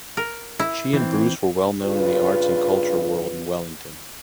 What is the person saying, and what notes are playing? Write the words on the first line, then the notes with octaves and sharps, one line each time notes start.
She and Bruce were well known in the arts and culture world in Wellington.
A#4
E4
E3 C4
G2 C#3 F4 B4